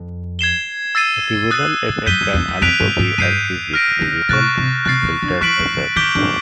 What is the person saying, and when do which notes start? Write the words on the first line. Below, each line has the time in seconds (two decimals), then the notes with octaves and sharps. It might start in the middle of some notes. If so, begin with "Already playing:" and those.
Similar effects can also be achieved with digital filter effects.
Already playing: F2
0.39 G#6 C7 E7 G7
0.95 E6 A6 C7 D#7
1.51 D#6 F#6 A6
2.06 F#2 G6 B6 D#7 G7
2.21 F#2
2.34 E2
2.48 F2
2.62 F2 F#6 B6 D7 F7
2.80 G2
2.99 G#2
3.18 G2 G6 C7 D#7
3.74 F6 A#6 D7
4.01 C#3
4.29 C3 C#6 F#6 A6
4.57 C3
4.85 C3 F#6 A6 C7
5.03 C#3
5.22 D3
5.41 E3 C#6 F#6 B6 D7 F#7
5.59 E3
5.78 D#3
5.96 D#3 D6 G6 B6 D7 G7
6.15 D3